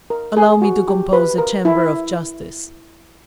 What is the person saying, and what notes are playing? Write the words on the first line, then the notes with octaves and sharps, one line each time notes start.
"Allow me to compose a chamber of justice."
A#4
G#4
F#4
G4
B4
A#4
E4